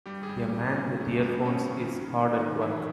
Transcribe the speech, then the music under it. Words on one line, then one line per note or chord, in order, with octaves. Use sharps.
A man with earphones is hard at work.
G2 G3 G4
G#1 G#4
G3 G4
G#1
D#3 G3 G4
G2
C#3 C#4
G#1
G#1 A3
D#3 A#3
B3
G2 C4
G#1 C#3 C#4
G#1
D#3
D#3
G2
G2
D#3 F#3 D#4
D#3
E3 E4